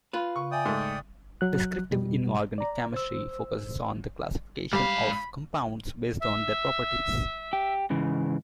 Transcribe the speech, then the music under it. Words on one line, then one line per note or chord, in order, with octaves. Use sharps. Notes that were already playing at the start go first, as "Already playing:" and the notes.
Descriptive inorganic chemistry focuses on the classification of compounds based on their properties.
F4 B4
C#3 C#6
D5 E5 G5 G#5 D#6
G#2 A3
F#3 F#6
F2 B2 G3
D5 A#5
C5 E6
G#2 G3 F5 B5
E5
G4
G#2 C#3 E3